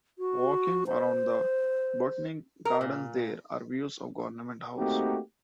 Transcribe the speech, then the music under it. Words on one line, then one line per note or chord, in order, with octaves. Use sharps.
Walking around the Botanic Gardens there are views of Government House.
F#4
C5
A#4
A#2
A3 A#3 C4 D#4 F#4 G4